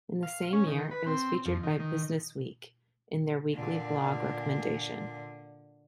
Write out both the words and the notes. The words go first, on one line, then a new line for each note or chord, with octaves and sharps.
In the same year, it was featured by "BusinessWeek" in their weekly blog recommendation.
F5
C#4
D#3
B4
C4
F2
D#3
D#3
A#2 D3